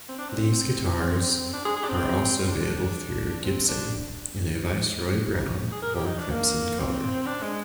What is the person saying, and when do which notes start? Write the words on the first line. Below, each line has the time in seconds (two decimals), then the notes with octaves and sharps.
These guitars are also available through Gibson, in a viceroy Brown or Crimson colour.
0.09 C4
0.18 D4
0.29 C4
1.53 D4
1.65 G#4
1.76 G#4
1.84 D4
1.89 C4
2.38 C4
2.49 D4
3.44 C4
3.68 D4
5.72 G#4
5.82 A#4
5.94 G4
6.06 D#4
6.19 D4
6.30 A#3
6.79 C4
7.26 D4
7.42 G#3